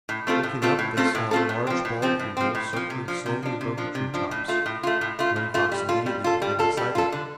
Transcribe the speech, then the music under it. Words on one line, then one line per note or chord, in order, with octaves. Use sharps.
Looking up they saw a large bald eagle circling slowly above the tree-tops. Running Fox immediately became excited.
A2
A3 C4 F4 A4
A2
A3 C4 F4 A4
A2
A3 C4 F4 A4
A2
A3 C4 F4 A4
A2
F3 C4
A2
F3 C4
A2
F3 C4
A2
F3 C4
C3
F3 D4
C3
F3 D4
C3
F3 D4
C3
F3 D4
A2
A3 F4
A2
A3 F4
A2
A3 F4
A2
A3 F4
G3
F4 A4
G3
F4 A4
G3
F4 A4
G3
F4 A4
D3